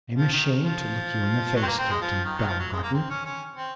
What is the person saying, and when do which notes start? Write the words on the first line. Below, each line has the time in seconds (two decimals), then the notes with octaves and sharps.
I am ashamed to look you in the face, Captain Baumgarten.
0.17 F3
0.32 D#3
0.62 F3
1.56 F#3
1.63 C4
1.66 A#3
1.78 C4
1.90 G#3
2.01 F3
2.25 D#3
2.38 F#3
2.47 F3
2.59 F#3
2.73 G#3
2.83 A#3
2.94 C4
3.10 C#4
3.25 C#4
3.56 C4